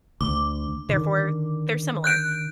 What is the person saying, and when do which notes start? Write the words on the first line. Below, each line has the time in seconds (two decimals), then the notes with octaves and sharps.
therefore, they're similar,
0.21 D2 D6
0.89 D3 D#3
2.04 F#6 G6 D7